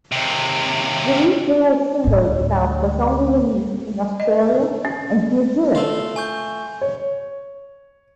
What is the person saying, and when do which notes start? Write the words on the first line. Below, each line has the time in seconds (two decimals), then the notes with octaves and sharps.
The retail single itself was only released in Australia and New Zealand.
0.12 D#2 C3
2.04 D2 A2
4.20 D#5
4.85 C#4
5.75 A3 F4
6.16 G#5 C#6 G6
6.81 C#5